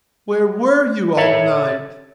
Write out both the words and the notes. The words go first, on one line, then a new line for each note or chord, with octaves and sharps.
"Where were you all night?"
A4 C#5 E5